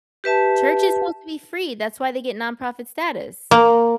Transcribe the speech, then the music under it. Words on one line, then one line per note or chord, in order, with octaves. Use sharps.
Church is supposed to be free. That's why they get nonprofit status.
G4 B4 E5 A5
A#3